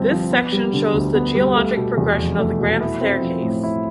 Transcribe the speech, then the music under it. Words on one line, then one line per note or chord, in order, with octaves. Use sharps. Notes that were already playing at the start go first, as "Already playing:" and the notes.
This section shows the geologic progression of the Grand Staircase.
Already playing: G1 G2 F3 C4
F3
B3
G3
D3
D2
B3
G3
A3
B2
E2
F1
A3
B2
E4
C4
F3
A2
E4